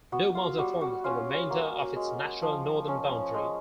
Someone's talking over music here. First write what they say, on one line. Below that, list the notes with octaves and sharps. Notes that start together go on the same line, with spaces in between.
Blue Mountain forms the remainder of its natural northern boundary.
B3 F#4
F4
G3 F#4
F#4
C#4 F4
A#3 F#4
G#3
F3
C#4
G#3